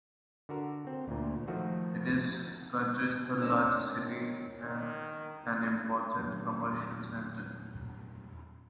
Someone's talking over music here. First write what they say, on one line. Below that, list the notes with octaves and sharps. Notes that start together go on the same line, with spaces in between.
It is the country's third largest city, and an important commercial centre.
D3 F#4 A#4
C4
D2 A#2
D#3 F3 A3 F#4
D#3 C4 D4 A#4 C#5 D#5 E6
D#3
E2 A#2 F#3 D4